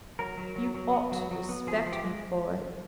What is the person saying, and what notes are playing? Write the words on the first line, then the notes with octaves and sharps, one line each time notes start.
You ought to respect me for it.'
F#3 A#4
F#3
F#3
F#3
B3
F#3
F#3
B3
F3 G#4
F3
G4
G#3